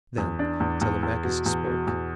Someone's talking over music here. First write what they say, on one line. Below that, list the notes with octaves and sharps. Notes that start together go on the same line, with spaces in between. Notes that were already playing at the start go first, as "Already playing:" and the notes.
Then Telemachus spoke.
E2
D4
E2
E2
E2
B2
E2
B2
E2